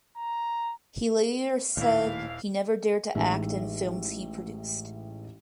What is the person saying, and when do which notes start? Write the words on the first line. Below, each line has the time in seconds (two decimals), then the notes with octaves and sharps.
He later said he never dared to act in films he produced.
0.17 A#5
1.77 D#1 D#2 A2 E4 F5
3.15 A1 E3 G#3 D#4 E5